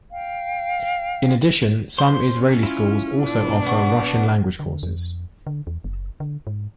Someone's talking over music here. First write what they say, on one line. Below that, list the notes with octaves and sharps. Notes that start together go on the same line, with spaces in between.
In addition, some Israeli schools also offer Russian language courses.
F5 G5
C5 C6
C#4
E4 F4
B2 D4
B3 F#5 C#6
D3
F2
D3
E2
F#1
D3
G#2